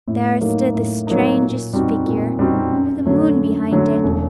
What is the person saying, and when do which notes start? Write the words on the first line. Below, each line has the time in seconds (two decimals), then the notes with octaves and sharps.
There stood the strangest figure, with the moon behind it.
0.08 A2
0.41 F#3 A#3 D#4
0.74 A2
1.07 F#3 A#3 D#4
1.40 A#2
1.73 G3 C4 D#4 F#4
2.06 A#2
2.39 G3 C4 D#4 F#4
2.72 F#2
3.05 D3 F#3 A3
3.38 F#2
3.71 D3 F#3 A3
4.04 E1